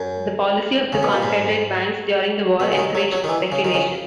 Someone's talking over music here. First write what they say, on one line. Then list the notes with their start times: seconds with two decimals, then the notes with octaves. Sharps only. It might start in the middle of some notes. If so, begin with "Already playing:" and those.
The policy of the Confederate banks during the war encouraged speculation.
Already playing: F#2
0.93 C#3
1.03 B2
1.13 A#2
1.22 G#2
2.60 B2
2.73 C#3
2.77 D#3
2.95 F#3
3.12 F#3
3.24 D#3
3.28 E3
3.52 C#3
3.65 D#3
3.74 C#3